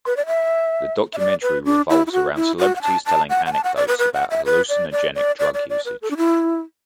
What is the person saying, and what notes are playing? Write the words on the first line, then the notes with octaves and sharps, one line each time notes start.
The documentary revolves around celebrities telling anecdotes about hallucinogenic drug usage.
B4
D5
E5
E5
D5
B4
D4
E4
E4
F#4
E4
F#4
F#5
A5
A5
F#5
F#5
A5
F#5
D5
B4
B4
F#5
E5
B4
D5
D5
D5
D5
D5
D5
B4
A4
D4
E4